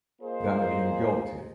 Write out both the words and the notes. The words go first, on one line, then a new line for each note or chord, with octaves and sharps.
That made him guilty.
A#3 F4 G#4 C5 D#5